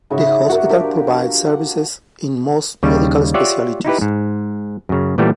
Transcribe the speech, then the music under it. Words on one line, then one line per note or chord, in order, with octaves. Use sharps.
The hospital provides services in most medical specialities.
G#2 C#3 E4 F#4 E5
G2 F#4 A#4 E5
F3 D4 F#4 G4 A#4
F#5
D#2 C#3 G3
F4 G4 C#5 D5 E5 F#5
D#4 E4 G4 B4
G#2
F#2 C#3
A#2 E3 G3 A3 F#4 G4